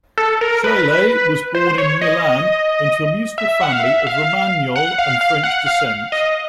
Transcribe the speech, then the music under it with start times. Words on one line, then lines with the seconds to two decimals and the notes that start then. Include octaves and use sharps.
Chailly was born in Milan into a musical family of Romagnol and French descent.
0.18 A4
0.41 A#4
0.64 B4
1.55 C5
1.78 C#5
2.01 D#5
3.38 E5
3.49 E5
3.61 F#5
3.72 F5
3.83 E5
4.07 F5
4.76 F#5
4.98 F5
5.21 F5
5.44 F#5
5.66 F5
6.12 D#5